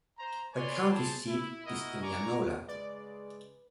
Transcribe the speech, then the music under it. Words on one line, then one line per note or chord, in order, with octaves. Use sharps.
The county seat is Indianola.
C5 A#5
B4 C#5 D5 G#5 C6
G#4 C5 A5
E4
E4 F#4 A#4 D#5
D5 G#5 A#5 C#6
C#3 G#3 B4 D5